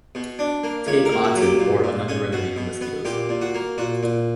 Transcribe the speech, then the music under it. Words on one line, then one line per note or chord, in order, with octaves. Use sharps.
Take Autan or another remedy for mosquitoes.
B2
D4
A#3
C#2 C#5
A#4
A#3
F#4
F#3
G4
A#2
A#2
C#4
B2 F#4
B2
B3
A#2 G4
A#2
F#4
A#3
A#2 F#4
A#2